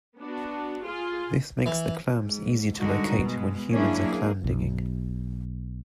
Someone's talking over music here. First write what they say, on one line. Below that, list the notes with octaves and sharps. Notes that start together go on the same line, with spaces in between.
This makes the clams easier to locate when humans are clam digging.
B3 D4 F#4
F4 G#4 C6
E3
G#2
D3 G3 G#3 D#4 F#4 A#4
B2 G#3
F#3 A#3 C#4 D4 E4 G#4
A#3 G#4
B1